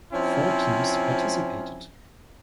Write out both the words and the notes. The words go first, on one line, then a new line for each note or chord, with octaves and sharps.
Four teams participated.
F3 C4 C#4 E4 G#5